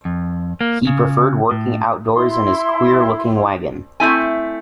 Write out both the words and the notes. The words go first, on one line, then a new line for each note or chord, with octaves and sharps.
He preferred working outdoors in his queer-looking wagon.
F2
A#3
C#3
A2
E4 C6
A3 C4 E4 G#5